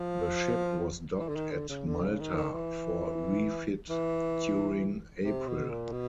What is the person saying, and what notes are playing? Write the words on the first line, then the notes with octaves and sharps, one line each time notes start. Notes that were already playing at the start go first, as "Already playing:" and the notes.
The ship was docked at Malta for refit during April.
Already playing: F3
E3
D3
D#3
D3
C#3
D3
C#3
D#3
D#3
E3
E3
C3
B2
A#2
B2